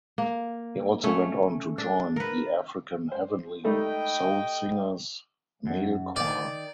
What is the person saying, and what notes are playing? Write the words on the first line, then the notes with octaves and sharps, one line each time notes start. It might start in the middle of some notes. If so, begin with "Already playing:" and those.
He also went on to join the African Heavenly Soul Singers male choir.
A#3
A3 C#4
D4
A#4 B4
C5
G3 A3 D#4 D#5 G5
F#2
D#3 D5